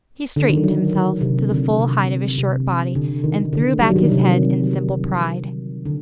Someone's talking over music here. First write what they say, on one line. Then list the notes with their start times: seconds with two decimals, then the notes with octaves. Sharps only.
He straightened himself to the full height of his short body and threw back his head in simple pride.
0.36 D3
0.49 D#3
0.63 F#3
1.21 C3
1.50 D3
1.79 C3
2.38 C3
2.95 D3
3.24 D#3
3.53 D3
3.81 G3
3.89 F#3
3.96 D#3
4.04 D3
4.12 C3
5.85 D3